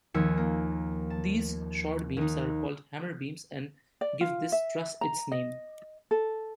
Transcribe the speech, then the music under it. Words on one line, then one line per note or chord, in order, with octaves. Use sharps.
These short beams are called hammer-beams and give this truss its name.
D#2 F3 G#5 E6 C#7
A#3
A5
D#2 D#4
D5
F4
E5
A#5
D#5
A4